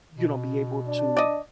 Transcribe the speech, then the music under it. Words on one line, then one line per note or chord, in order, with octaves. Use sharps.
you know, be able to
B2
D4
D5 D#5